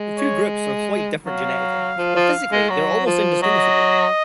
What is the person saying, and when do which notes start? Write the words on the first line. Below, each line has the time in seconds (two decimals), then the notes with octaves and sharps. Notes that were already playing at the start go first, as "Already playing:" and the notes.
The two groups are quite different genetically, but physically they are almost indistinguishable.
Already playing: G#3
0.18 C#5
1.26 F#3 F5
1.98 F3
2.16 F3
2.52 G#3
2.70 F#3
3.06 F3
3.42 F#3 D#5